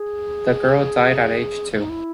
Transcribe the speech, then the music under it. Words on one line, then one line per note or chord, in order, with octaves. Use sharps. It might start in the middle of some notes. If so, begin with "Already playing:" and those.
The girl died at age two.
Already playing: G#4
D#4
E4